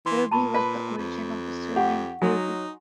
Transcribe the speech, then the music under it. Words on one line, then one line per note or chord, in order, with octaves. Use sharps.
Firby was the origin of the surname Firby.
E3 C6
A#2 A5 B5 C#6
B4
F2
G4 F#5 C#6
F#3 D#4 G#5 C6